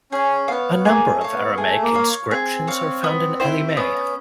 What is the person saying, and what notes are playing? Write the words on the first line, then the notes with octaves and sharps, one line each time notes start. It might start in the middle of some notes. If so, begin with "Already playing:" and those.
A number of Aramaic inscriptions are found in Elymais.
C#4 G#4
B3 C#5 F5
A#3 G#4
A3
C#5 F5
B3
A3 G#4
A#3
C#5 F5
C4 G#4
C#5 F5
B3
E4 G4 C5
B3 C#4